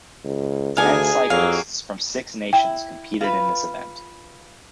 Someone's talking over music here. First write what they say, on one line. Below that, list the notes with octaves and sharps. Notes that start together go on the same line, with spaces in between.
Ten cyclists from six nations competed in this event.
C#2
D2 D4 D#4 G#4 F5 G#5
F2 F#3 A#3 F5
E4 G5
F4 B4